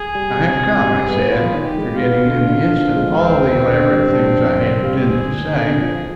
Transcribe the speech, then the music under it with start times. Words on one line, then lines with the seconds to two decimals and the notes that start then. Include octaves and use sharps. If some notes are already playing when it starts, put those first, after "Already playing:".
"I have come," I said--forgetting in the instant all the elaborate things I had intended to say.
Already playing: G#4
0.15 G3
0.38 C3
0.61 C3
0.85 G3
1.08 B3
1.32 F4 B4
1.55 D#3
1.63 G4
1.78 G#3
1.94 F4
2.02 B3
2.25 D3
2.49 D3
2.72 F3
2.96 G#3
3.19 D#2 C4
3.42 D#2
3.66 D3
3.90 G3
4.13 D4
4.37 F2
4.60 C3
4.83 G3 F4
4.95 G4
5.08 D2 G#4
5.30 D2
5.53 D3
5.77 F3